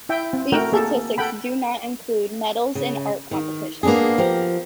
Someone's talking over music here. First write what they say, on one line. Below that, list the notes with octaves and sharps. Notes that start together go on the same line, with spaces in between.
These statistics do not include medals in art competitions.
E4 E5 G5
C4
A3 F#4 A#4 F#5 G5
A#3 G#4 A4
A4 F#5 G5 B5
C#3
D#3
A#3 B3 D4 D#4 G#4
F3 G4 A#4